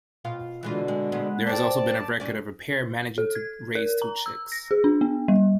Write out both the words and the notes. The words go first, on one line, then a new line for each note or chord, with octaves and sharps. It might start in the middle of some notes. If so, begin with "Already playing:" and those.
There has also been a record of a pair managing to raise two chicks.
B2 F4 F5
B2 D3 E3 G#3 F4
G#3
G#3 B3
C4 G4 D5 A5
G2 C#4 D5
A4
G#6
A#4
A#5
E6
A#6
G#4
D4
B3
G3